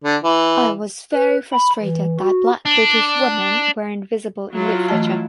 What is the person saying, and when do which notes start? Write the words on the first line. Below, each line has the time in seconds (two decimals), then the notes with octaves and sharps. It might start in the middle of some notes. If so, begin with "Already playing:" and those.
I was very frustrated that black British women weren’t visible in literature.
0.04 D3
0.23 E3
1.12 B4
1.52 B5
1.82 E3
2.20 F#4
2.65 D4
4.53 F#3 E4 F4
4.89 E3 A3 A5